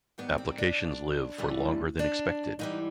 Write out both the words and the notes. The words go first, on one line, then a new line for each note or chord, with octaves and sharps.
Applications live for longer than expected.
G#2 D#3 G3 B3
C4
D4
A2 E3 G3
D4
G#2 E3 G3 D#4